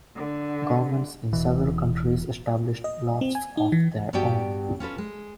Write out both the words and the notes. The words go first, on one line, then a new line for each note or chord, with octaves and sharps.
Governments in several countries established lofts of their own.
D3
E1 B2 E3
D#5
C4
G#5
D#4
E3
G2 B3 F#4 G4 D5 G5
C#4 F4 A4 B4
G#3